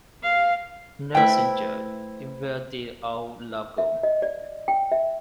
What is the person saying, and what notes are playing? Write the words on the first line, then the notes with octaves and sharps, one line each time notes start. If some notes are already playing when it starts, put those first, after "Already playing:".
Nelson George, in Where Did Our Love Go?
F5
A3 E4 B4 C5 G5
E5
D#5
D5
G5
E5